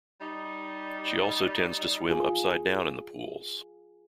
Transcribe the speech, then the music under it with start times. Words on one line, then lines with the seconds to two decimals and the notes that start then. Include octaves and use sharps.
She also tends to swim upside down in the pools.
0.21 G3 D#4
2.09 F4 G#4